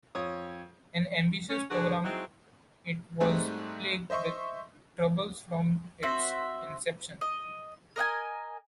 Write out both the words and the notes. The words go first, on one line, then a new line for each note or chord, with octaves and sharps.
An ambitious program, it was plagued with troubles from its inception.
F2 C#5 D#6
C#4
D3 G#3 D4 F#4 G#4 B4
F#3 G#3 C4 D#4 E4 F#4
G#2 G3 A3 C4 D#4 G#4
C5 D#5 E5 C6 C#6
C4 F#4 C5 E5
D#5
A#4 D#5 F#5 G#5